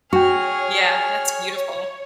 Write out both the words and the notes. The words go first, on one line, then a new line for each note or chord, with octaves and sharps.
Yeah, that's beautiful.
F#4 G#4 C#5 G5 C#6 F6